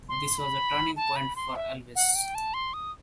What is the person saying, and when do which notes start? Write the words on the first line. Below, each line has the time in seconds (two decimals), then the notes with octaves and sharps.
This was a turning point for Elvis.
0.09 C6
0.38 B5
0.97 A5
1.16 B5
1.36 C6
1.56 E5
1.96 F#5
2.15 G5
2.35 A5
2.54 C6
2.74 D#6